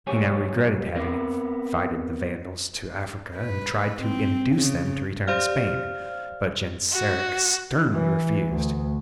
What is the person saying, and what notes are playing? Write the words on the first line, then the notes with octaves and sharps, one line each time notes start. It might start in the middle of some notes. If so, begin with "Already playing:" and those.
He now regretted having invited the Vandals to Africa and tried to induce them to return to Spain, but Genseric sternly refused.
B1 G#2 G3 C#5 G#5
B3 C4 A#4
B4
C4
C#3
G4 C5 D5 F5 F6
F#4
E3
D2